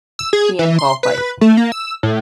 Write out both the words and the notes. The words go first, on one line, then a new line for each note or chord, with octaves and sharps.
He and Paul fight.
E6
G#4
E3
C6
B4
A3
A#3
E6
A2